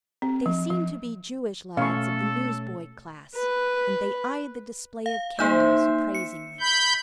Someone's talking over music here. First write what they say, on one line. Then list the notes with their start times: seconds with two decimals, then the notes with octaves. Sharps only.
They seemed to be Jewish lads of the newsboy class, and they eyed the display of candles appraisingly.
0.22 C4
0.46 F3
0.71 F3
1.77 B2 A3 C#4 A4 F5 C#6
3.35 B4
5.06 F5
5.39 A#3 D#4 C5 E5 G6
6.15 C#7
6.60 B5 G6